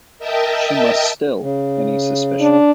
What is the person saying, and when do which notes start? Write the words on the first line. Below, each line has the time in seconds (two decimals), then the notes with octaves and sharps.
She must still any suspicion.
0.18 A#4 D#5 E5 G5 A5
1.40 C#3
2.40 D4